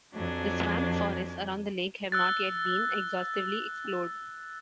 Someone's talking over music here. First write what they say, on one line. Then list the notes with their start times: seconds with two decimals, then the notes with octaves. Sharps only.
The swamp forests around the lake have not yet been exhaustively explored.
0.13 F2 F3 F#3 D4 G#5
2.12 E6 F#6 A6